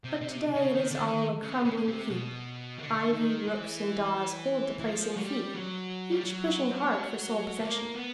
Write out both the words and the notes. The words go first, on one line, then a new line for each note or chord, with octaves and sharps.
But today it is all a crumbling heap; ivy, rooks and daws hold the place in fee, each pushing hard for sole possession.
C3
C3
C#3
D#3
D3
D#3
C#3
C#3
C#3
C3
B2
D3
D#3
E3
E3
F3
F#3
G3
F#3
G3
F#3
A#3
B3